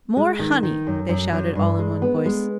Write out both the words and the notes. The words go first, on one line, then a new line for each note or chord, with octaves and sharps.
"More honey!" they shouted, all in one voice.
G#3
D#3
D#3
F#2
F#2
F#2
G2
G#3
B3
G#3